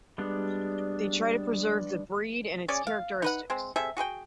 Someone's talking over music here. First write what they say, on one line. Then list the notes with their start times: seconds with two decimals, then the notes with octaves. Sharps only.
They try to preserve the breed and its characteristics.
0.18 G3 G#3 B3 D4
2.68 C#4 G#4 C#5 D5
2.87 F5
3.22 D#4 B4 F#5
3.50 G#3 C4
3.76 C3 G#4 A4 E5
3.97 F#4 G#4 B4 G5